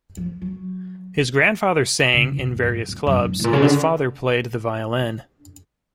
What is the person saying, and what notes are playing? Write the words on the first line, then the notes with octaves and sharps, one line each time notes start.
His grandfather sang in various clubs and his father played the violin.
F3
F#3
C#3
B2
G2
G#2
F2
F#2
G#2
A2
A#2
C#3
D3